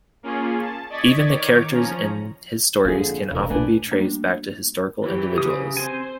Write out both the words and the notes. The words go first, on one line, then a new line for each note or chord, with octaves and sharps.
Even the characters in his stories can often be traced back to historical individuals.
A#3 C#4 F4 G#4
A5
D5 D#5 C#6 G#6 A6 B6
D#3 C#5 D6
F3 C#4 A#5
F2 A#2 D3 G#4
E1 C#3 A#4
B1 A2 D4 B4 G#5
G3 A3 A#3 D4 F#4
E3 F#3 G4
C#3 D#6
C4 C5 G#5